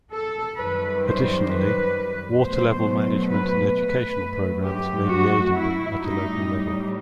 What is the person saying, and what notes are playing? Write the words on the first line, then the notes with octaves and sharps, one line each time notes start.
Additionally, water-level management and educational programs may be aiding them at a local level.
A4
F#2 D#3 G3 B4
C5
B4
B2 F#3 A3 C5
B4
B4
F#2 F#3 A3
G4
F#4
E4
A2 G3 D#4